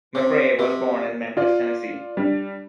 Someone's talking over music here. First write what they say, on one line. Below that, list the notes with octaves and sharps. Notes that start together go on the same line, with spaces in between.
McRae was born in Memphis, Tennessee.
C3
C3
F4 D5
G3 D4